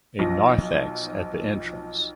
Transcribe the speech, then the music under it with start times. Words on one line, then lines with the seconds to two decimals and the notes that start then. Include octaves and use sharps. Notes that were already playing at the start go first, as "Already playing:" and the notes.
A narthex at the entrance.
0.19 B1 F3 A#6